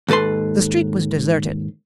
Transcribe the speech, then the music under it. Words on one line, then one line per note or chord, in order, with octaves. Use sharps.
The street was deserted.
D#2 G#2 A4 B4 C6